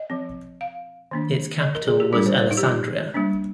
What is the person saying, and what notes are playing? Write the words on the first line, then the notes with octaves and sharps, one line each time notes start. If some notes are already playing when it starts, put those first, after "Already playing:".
Its capital was Alessandria.
Already playing: D#5
F3 C4
F5
D#3 A#3 D4
D#5
A#4
G#4
G4
G3 D4 F4
C5
C5
D#4
G4
F4
G3 A#3 D4